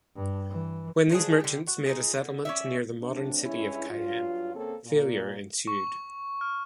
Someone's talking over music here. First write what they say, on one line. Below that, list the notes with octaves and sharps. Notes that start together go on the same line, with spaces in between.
When these merchants made a settlement near the modern city of Cayenne, failure ensued.
G2
E3
F3 D4 G#4
D3 G3
F#4
D#4 F4 G#4
D3
C#4 D5 E5
F#3 A3 C4 D4
G2 G#3 C#4 E4
G2 F#3 F4
C#3 A#3 C4 A4 C#5
A#2
C#6
F6